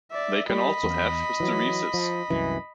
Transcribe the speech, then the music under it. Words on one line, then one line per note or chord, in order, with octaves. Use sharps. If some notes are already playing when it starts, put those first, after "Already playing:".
They can also have hysteresis.
D5 E5
G3 D#5 B5
E2
E3 F#3
F3
C2 F#2 E3